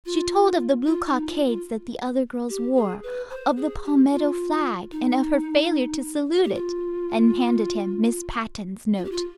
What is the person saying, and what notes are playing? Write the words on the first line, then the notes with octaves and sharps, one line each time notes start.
She told of the blue cockades that the other girls wore, of the palmetto flag, and of her failure to salute it, and handed him Miss Patten's note.
F4
F4
D#4
F4
F4
G4
G#4
B4
C5
G#4
G4
F4
D#4
G4
F4
F4
G4
F4